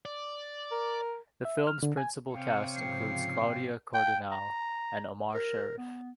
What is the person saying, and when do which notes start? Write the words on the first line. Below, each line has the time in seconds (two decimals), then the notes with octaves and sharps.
The film's principal cast includes Claudia Cardinale and Omar Sharif.
0.05 D5
0.71 A#4
1.45 E5
1.67 F6
1.83 D3
1.97 G#5
2.34 C3 C#5 F5 G5
2.76 G#2 C#3 F3 C7
3.94 G5
4.31 A#5
5.34 A#4
5.78 B3